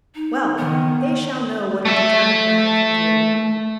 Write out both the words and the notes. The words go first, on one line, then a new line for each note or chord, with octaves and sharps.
Well, they shall know what a determined man can do.
D#4
D#3 B3
A3 E5